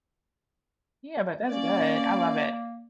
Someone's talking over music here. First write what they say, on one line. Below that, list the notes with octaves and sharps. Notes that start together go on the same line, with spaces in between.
Yeah, but that's good, I love it.
A#3 C#4 D5